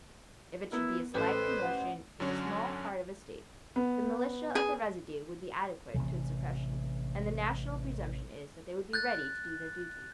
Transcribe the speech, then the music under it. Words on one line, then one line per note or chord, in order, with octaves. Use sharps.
If it should be a slight commotion in a small part of a State, the militia of the residue would be adequate to its suppression; and the national presumption is that they would be ready to do their duty.
B3 E4 A#4
A1 A4 B4 C5
F#5
F#2 D3 F#3 C#4 D4
B3
G#4
A1 C3 D#3 E3
F#6 G6 A6